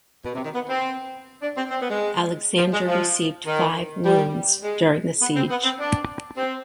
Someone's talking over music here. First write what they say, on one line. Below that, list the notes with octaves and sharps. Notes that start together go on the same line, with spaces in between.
Alexander received five wounds during the siege.
B2
C3
D#3
B3
C4
D4
C4
C4
B3
G#3
F3
G#3
F3
D#3
G3
G#3
B3
C4
B3
C4
D4
C4